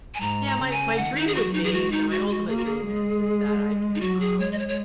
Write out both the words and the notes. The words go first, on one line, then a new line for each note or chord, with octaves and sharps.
Yeah, my my dream would be no, my ultimate dream is is that I can, um,
G#5
G#2 A#5
A#5
C#3
G#5
D#3 F#5
D#4
G#4
F#3 F#4
D#4
G#4
G#3 F#4
D#4
F#4
F#4
A#3 G#4
F#4
G#4
G#3
D#4
F#3 F#4
G#4
G#3 C#5
D#5
C#5
C#5